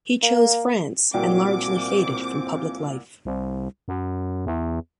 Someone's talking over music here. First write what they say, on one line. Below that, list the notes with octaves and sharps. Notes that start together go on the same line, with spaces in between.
He chose France and largely faded from public life.
A#3
C2 A#2 C4 F#4 D5 G5 D6
C2
F#2
E2